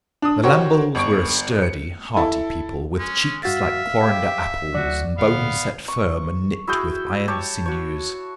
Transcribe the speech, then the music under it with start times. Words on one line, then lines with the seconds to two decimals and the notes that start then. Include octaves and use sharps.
The Lamboles were a sturdy, hearty people, with cheeks like quarrender apples, and bones set firm and knit with iron sinews.
0.22 D4 D#6
0.44 F#4 G4 A#4 C5 C#5
0.95 G1 C#6 D7
1.62 C#7
2.17 E4 A4
2.99 G#3 C#4
3.43 G2 F#4 E5 F5 A6
4.02 G4 F5
4.75 D2 D3 F#3 F#4 D5
5.18 D1 B3 F5
5.88 C#6
6.67 E4 F#4 G#4 G5
7.28 G4 C#5 A5
7.66 F#4 C#5